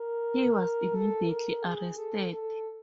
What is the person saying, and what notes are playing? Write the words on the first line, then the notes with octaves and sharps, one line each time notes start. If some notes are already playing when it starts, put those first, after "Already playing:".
He was immediately arrested.
Already playing: A#4
A4
A#4
G#4
A4
A4